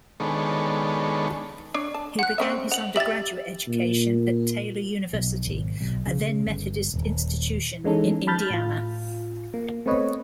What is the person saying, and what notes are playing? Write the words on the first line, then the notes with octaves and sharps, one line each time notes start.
He began his undergraduate education at Taylor University, a then-Methodist institution in Indiana.
D#3 G#3 B3 D4 A4 C#5
D4 C#5
A5
F#5 F#6
C4 C#4 E5
F#5 F7 F#7
G4 E5 A6 F#7
A#2
B1
G#1
B1
C#3
G1
D#1
E3 G#3 C#4 D#4 A4
A5 B5 F6 G6 A6
A2 F4
A#3
A3 B3 C4 B4 C#5 D#5